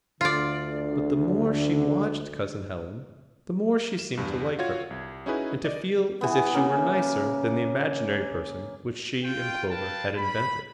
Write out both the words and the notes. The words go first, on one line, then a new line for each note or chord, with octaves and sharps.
But the more she watched Cousin Helen the more she seemed to like her, and to feel as if she were nicer than the imaginary person which she and Clover had invented.
D2 D3 F4 D5
E7
E2 G2
F4 F#4 C#5 G#6
C2
C#4 D#4 E4 F#4 G#4 B4
D5 D#5
E3 B3
C#3 A#3
F4 G5
B4 F5 G5 A5
B5